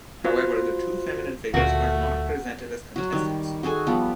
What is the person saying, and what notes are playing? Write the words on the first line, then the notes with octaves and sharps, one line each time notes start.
However, the two feminine figures are not presented as contestants.
F4 F#4 C5
D2 A#2 A3 F#4
F#3 F#4
D#3 G3
F#4 G#4 A4 G#5
F3 G3 B3